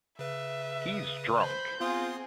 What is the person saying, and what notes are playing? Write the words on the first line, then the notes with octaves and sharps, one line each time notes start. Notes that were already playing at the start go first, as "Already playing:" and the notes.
He’s drunk.
C#3 B4 E5
D#6
C5 B5 G6
B3 C4 F4 G#4 C6 D#6